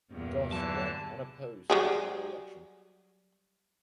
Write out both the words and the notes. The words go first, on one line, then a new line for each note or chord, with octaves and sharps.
Goss ran unopposed in the general election.
E2 G2 A#2
D3 E3 F#3 A5
F#3 G3 G#4